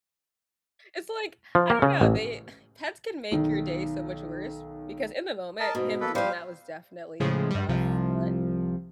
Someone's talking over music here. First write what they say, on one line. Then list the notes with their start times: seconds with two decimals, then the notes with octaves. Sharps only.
it's like I don't know, they uh, pets can make your day so much worse because in the moment, him doing that was definitely rough, but
1.55 F3
1.70 A#3
1.82 C#3
2.01 A1
3.32 B1 D#3
5.60 A#4 D#5 A5
5.75 G#2 B2
6.00 A#3 A4 B4
6.15 F3 G3 C5 F5
7.20 A2 C#3 F3 G#3
7.51 G2 G3
7.69 C2 C3 F3